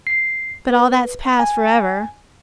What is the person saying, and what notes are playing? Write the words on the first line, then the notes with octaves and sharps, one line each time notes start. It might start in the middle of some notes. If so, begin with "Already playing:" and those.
But all that's past for ever.
C7
B4
G#5